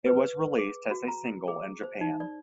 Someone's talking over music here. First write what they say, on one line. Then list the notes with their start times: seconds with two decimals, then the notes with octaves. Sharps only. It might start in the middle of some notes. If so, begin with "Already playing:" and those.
It was released as a single in Japan.
0.06 B4
0.58 G#4
0.91 F#4
1.08 A#5
1.48 G#4
1.83 C5
2.01 D#4
2.20 D5